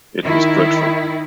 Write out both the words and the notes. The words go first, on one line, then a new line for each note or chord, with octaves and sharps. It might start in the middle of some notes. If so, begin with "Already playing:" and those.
It was dreadful.
D#3 E4